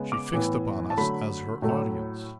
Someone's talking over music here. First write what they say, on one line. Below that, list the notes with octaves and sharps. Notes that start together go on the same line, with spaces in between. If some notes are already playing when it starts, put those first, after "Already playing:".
She fixed upon us as her audience.
Already playing: C#3 G#3 B3
D6
A2 E3 B3
A5
D3 F#3 A3 B5
A2 F#3 A3